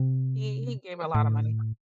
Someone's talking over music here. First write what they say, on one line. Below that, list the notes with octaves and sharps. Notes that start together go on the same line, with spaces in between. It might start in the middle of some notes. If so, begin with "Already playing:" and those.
he he gave a lotta money.
Already playing: C3
A2